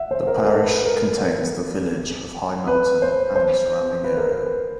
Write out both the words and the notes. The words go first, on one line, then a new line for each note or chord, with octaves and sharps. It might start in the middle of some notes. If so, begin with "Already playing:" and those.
The parish contains the village of High Melton and the surrounding area.
Already playing: E5 F#5
C5
A#4
A4
B4
A#4
B4
C5
C5
B4
A#4
B4